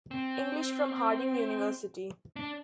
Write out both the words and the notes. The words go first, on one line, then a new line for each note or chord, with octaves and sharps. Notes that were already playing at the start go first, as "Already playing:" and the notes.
English from Harding University.
C4
D4